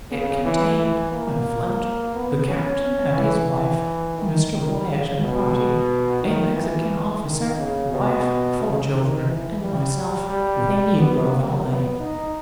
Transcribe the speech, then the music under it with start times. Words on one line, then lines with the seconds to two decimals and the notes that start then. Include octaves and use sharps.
It contained, when afloat, the captain and his wife, Mr. Wyatt and party, a Mexican officer, wife, four children, and myself, with a negro valet.
0.11 C#3
0.45 E3
0.79 E3
1.12 A#3
2.15 B3
2.49 C#4
3.17 E3
3.51 E3
4.18 D#3
4.53 D#3
4.86 C#3
5.21 B2
6.23 D#3
6.56 E3
7.24 D#3
7.58 C#3
7.92 B2
8.60 C#3
8.94 D#3
9.27 E3
9.61 G3
10.30 G3
10.98 B3
11.32 A#3
11.65 B3
12.00 D#4